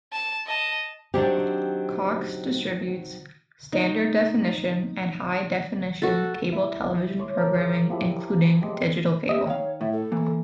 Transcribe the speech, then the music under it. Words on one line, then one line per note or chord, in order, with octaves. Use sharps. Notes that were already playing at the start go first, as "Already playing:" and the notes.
Cox distributes standard definition and high-definition cable television programming, including Digital Cable.
A5
D#5 A5
D#3 F#3 C4 D4 G4
D#4
F#4 A4
E4
C#5 C6 D6
A#4 A5
G#4 E5
F3 G3 E4
G3 G#3
G4 D#5 E5
D#3 C#5 F5
A2 E5
A4
E3 A#3